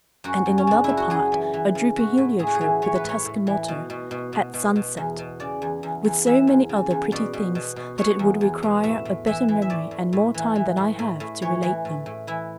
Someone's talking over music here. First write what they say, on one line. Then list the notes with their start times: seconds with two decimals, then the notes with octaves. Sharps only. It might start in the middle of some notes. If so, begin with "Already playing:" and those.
And in another part a drooping heliotrope with a Tuscan motto: AT SUNSET--with so many other pretty things that it would require a better memory and more time than I have to relate them.
0.24 F#2 F#4
0.46 F#2
0.58 C#4
0.67 C#3 D4
0.84 F#2 E4
0.97 F#4
1.10 F#2 G#4
1.32 E3
1.53 E3
1.75 C#3
1.96 A2 F#4
2.18 A2
2.39 A2 G#4
2.47 F#4
2.55 G#4
2.61 E3
2.82 E3 C#5
2.95 B4
3.04 A2 C#5
3.25 A2
3.47 E3
3.68 B2
3.90 B2
4.11 B2
4.33 B2
4.54 B2
4.76 B2
4.97 E2
5.19 B2
5.40 C#3 D5
5.62 E2
5.83 E2
6.05 E2
6.26 E3 E5
6.47 E2
6.69 C#3
6.91 E2
7.12 B2 D5
7.33 B2
7.55 B2
7.76 B2
7.98 B2 C#5
8.19 E2
8.41 E2
8.63 B2
8.84 A2 E5
9.05 A2
9.27 E3 E5
9.48 E3
9.62 E5
9.70 A2 D5
9.91 A2
10.13 A2
10.34 E3
10.56 E3
10.77 A2
10.99 A2
11.20 A2
11.42 E3 C#5
11.63 E3
11.85 A2
12.06 A2
12.27 E3 E4